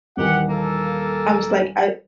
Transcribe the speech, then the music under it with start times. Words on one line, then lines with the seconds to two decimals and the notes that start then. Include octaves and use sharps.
I was like, I
0.17 D#1 D#3 E3 G4 F#5
0.49 A#3 A4